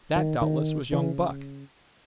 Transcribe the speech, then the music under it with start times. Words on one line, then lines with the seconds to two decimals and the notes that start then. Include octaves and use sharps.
That, doubtless, was young Buck.
0.16 D#3
0.41 D#3
0.92 C#3 E3